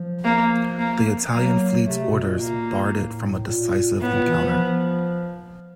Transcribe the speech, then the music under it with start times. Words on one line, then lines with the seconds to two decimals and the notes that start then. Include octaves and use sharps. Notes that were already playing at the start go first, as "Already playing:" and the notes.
The Italian fleet's orders barred it from a decisive encounter.
Already playing: F3
0.25 A#3
0.79 A#3
1.32 F#3 A#3
1.86 C3 A3
2.04 B2
2.22 A#2
2.40 A#2 A#3
2.94 A2
3.47 A#2
4.01 A2 B3
4.14 A#2
4.28 E3
4.41 F3